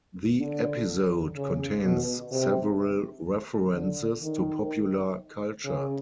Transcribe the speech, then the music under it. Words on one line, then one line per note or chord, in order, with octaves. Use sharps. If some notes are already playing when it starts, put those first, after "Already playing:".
The episode contains several references to popular culture.
D3
C#3
B2
C3
D3
D#3
C#3